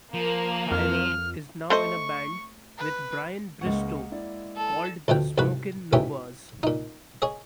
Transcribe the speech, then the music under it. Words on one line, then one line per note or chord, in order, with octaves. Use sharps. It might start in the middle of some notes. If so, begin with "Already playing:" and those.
Hyra is now in a band with Brian Bristow called the Smokin' Novas.
F3 A#3
F2 F6
A3 C5 D#5 C#6
B4
C#2 G#3 A#3 F#5 C#6
E4 D5
A4
D2 B2 F3 G5
C2 G#2 F#4 B4
G#2 B2 C#4 E4 G4 G#5
A#2 D#4
G#4 C#5 D#5